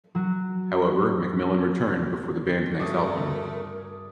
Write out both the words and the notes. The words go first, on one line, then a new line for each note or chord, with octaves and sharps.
However, McMillan returned before the band's next album.
F#3 F#4
G2 A3 F#4 G#4 A#4 D5